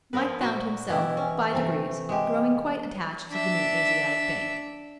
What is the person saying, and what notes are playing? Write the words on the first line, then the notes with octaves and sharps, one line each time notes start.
Mike found himself, by degrees, growing quite attached to the New Asiatic Bank.
F3 B3 A#4 B4
A#2 F#4
B2 E3 E4 G4
C#4
C3 E3 A3
G#3 G4
D4 E5